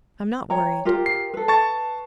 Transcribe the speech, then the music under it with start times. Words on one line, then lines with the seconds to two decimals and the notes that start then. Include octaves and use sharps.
"I'm not worried."
0.50 C#5 G5 A#5
0.85 F4 G4 A#4
1.06 C7
1.34 A4 B4
1.48 A5 C#6 A6